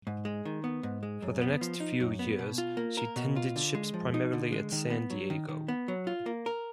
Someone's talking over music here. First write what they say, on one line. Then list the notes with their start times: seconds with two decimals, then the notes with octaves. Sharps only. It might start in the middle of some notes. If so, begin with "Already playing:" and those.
For the next few years, she tended ships primarily at San Diego.
0.07 G#2
0.25 G#3
0.45 D#3
0.64 B3
0.83 G#2
1.03 G#3
1.22 F#2
1.41 B3
1.61 F3
1.80 D#4
2.00 F#2
2.19 B3
2.39 B2
2.58 F4
2.77 A#3
2.97 A#4
3.16 B2
3.36 F4
3.56 D3
3.75 G#3
3.94 F3
4.14 D#4
4.33 D3
4.52 G#3
4.72 D#3
4.90 B3
5.10 F#3
5.30 D#3
5.49 D#3
5.68 B3
5.88 F#3
6.07 F4
6.26 A#3
6.46 A#4